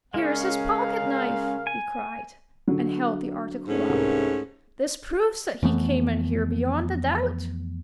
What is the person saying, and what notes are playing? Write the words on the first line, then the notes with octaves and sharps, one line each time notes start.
"Here's his pocket-knife!" he cried, and held the article up. "This proves that he came in here beyond a doubt."
C#3 G#3 C#4 A#4 F5
G#5
D3 F#3
G#2 A3 C#4
C2 A#4
F2 E3 A3 B3